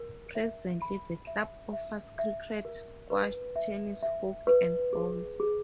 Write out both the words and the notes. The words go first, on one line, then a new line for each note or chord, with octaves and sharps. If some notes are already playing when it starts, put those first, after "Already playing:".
Presently the club offers cricket, squash, tennis, hockey and bowls.
Already playing: A#4
E5
B5
E5
E5
E5
A#4
B4
E5
E5
B4
G#4
G#4